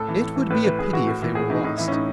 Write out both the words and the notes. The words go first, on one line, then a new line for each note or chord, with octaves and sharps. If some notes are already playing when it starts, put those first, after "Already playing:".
It would be a pity if they were lost.
Already playing: A2 A4
E3
A2
E3
A2 B4
E3 B4
A2 G#4
E3 F#4
A2
E3
A2 G#4
E3 D#4
A2 D#4
E3 E4
C#4
A2 D#4